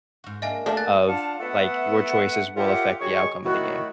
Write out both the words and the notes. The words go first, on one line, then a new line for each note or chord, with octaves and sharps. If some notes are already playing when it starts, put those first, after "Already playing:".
of like, your choices will affect the outcome of the game.
G#2 F#4
A#3 D4 A#4 D#5 E5 G#5
A3 A#3 D4 A#4 A5
G#5 F#6 A6
D4 F4 F5 F#5 A5
A3 B3 A4 E5 F#5
F4 G4 A#4 C#5 E5 F#5
D#3 G#3 F#4 G#4 C#5 C#6
D#3 F#3 A3 E4 F#4